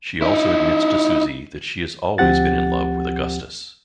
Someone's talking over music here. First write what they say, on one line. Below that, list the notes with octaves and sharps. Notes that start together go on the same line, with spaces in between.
She also admits to Susie that she has always been in love with Augustus.
D#4 E4
D2 F3 C4 G4 F#5 A6